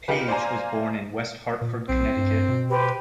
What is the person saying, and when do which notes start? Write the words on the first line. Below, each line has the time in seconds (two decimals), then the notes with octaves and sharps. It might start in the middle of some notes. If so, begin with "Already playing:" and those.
Paige was born in West Hartford, Connecticut.
0.08 D#4 F4 G4 B4
0.28 C5 D5 F5 G#5 A#5
1.61 A#2
1.89 B1 C4
2.16 G2
2.48 B2
2.68 G4 B4 C5